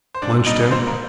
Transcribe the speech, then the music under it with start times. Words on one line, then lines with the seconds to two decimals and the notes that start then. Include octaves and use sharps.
Lunch Temp.
0.15 C5
0.22 G#2 D4 D5
0.46 G3 D4 D#4 D#5
0.71 G#2 C4 C5
0.87 A#3 A#4